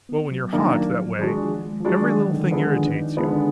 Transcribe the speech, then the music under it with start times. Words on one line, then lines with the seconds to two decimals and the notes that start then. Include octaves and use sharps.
Well, when you are hot, that way, every little thing irritates you.
0.09 B3
0.31 F#3
0.53 D#3 A#3 D4
0.75 F#3
0.97 F3
1.19 D#3 G#3 D4 F#4
1.41 F3
1.63 G#3
1.81 F3
1.85 F#3 G#3 D4 F#4
2.01 D#3
2.18 D3
2.29 D#3
2.34 D3
2.51 D3 G#3 B3
2.66 D#3
2.73 F3
2.85 D4
2.95 D#4
3.17 D3 G#3 B3